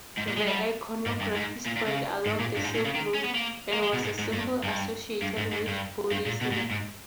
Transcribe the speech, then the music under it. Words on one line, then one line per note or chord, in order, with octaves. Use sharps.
The iconography spread along the Silk Road, and was a symbol associated with Buddhism.
G#2
A#2
G#3
G3
G#2
G2
G#2
A#2
A#2
C#3
G#2
A#2
G2
G#2
A#2
C#3
D#3
C#4
B3
A#3
A#3
G#3
B2
G#2
G#2
G2
G2
G2
G#2
G#2
G2
G2
A#2
B2
G#2
A#2
G#2